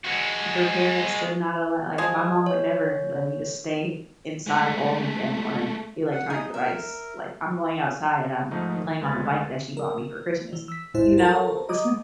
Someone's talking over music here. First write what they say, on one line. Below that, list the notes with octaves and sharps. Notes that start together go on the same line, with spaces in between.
for parents to not allow like, my mom would never let me just stay inside all weekend on an electronic device. Like, I'm going outside and I'm playing on the bike that she bought me for Christmas, you know? So
G#3 F#4
F3 G#3 G#4
C#5
G#3 A3
F#5
D#4 G#4 D#6
A#4 E5
G#2 F3 A3 D#4
D#3
D2 G#3 B4 B5 G#6 A6
A#4
E3
E6 B6
A1 D#2 G#2 E4 C5
A4 A#4 C5 A5 A#5
D#5 A#5 D6 D#6